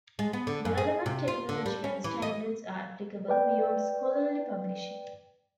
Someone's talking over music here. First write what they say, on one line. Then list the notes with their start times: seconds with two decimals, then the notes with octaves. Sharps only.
The relevant technology and standards are applicable beyond scholarly publishing.
0.19 G#3
0.33 B3
0.47 D3
0.65 F#2
0.78 G#4
1.06 C3
1.28 F4
1.49 D3
1.66 G3
1.84 C#4
2.04 E3
2.22 D#5
3.28 B4 D5 G5